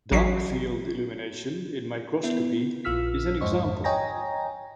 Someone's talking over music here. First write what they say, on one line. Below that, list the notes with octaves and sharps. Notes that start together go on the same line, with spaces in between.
Dark-field illumination in microscopy is an example.
A1 F#3 F#4 B6 C7
B3 E4
A#1 F4 E6 F6 B6
F2 G#2 C5 D#5 C#6
C#5 D#5 G5 G#5 A#5 A#6